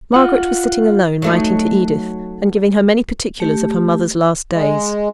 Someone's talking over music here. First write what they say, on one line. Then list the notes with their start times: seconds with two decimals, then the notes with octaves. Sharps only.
Margaret was sitting alone, writing to Edith, and giving her many particulars of her mother's last days.
0.14 F4 F#5
1.22 F#3 A3 D#4
3.40 A3 G4
4.54 G#3